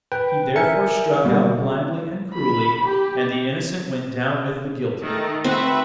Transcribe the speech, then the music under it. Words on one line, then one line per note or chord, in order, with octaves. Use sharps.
He therefore struck out blindly and cruelly, and the innocent went down with the guilty.
B4 G5
A#4 E5 G#5 C#7
B2 G3 A#3
B5
G4
D#3 A3 D#4
C4 F#4 B4 E5